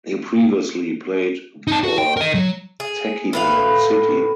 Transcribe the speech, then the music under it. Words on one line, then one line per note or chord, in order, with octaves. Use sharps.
He previously played for Techiman City.
D#4 A5
F#4
G5
A#4 D#5
F#3
G#4
A2 B4 F5